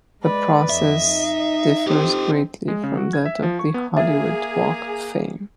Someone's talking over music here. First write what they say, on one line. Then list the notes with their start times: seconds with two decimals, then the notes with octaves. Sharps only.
The process differs greatly from that of the Hollywood Walk of Fame.
0.22 G#3 B4 D5
0.70 F2 D#5 E5
1.04 D#4
1.87 C4 G4 A4
2.68 G#3
2.83 C#3
2.98 F#4
3.13 G#6
3.26 E5
3.43 F3
3.59 C#6
3.74 B3
3.97 A#3 G#4 E5